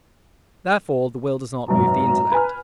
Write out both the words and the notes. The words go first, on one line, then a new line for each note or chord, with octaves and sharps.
Therefore the will does not move the intellect.
G#1 F#2 B2 A#5
B4 G#5 F6